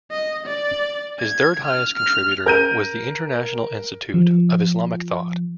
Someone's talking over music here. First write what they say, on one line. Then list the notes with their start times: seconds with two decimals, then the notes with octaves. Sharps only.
His third-highest contributor was the International Institute of Islamic Thought.
0.11 D#5
0.46 D5
1.20 G#6
1.64 F6
1.96 F6
2.46 A#4 G6 D#7
4.14 F3